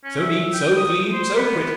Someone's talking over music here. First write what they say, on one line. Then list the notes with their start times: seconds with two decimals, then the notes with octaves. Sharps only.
So neat, so clean, so pretty!
0.04 C#4
0.18 E5
0.53 G5
0.77 D#6
1.13 C5
1.36 B3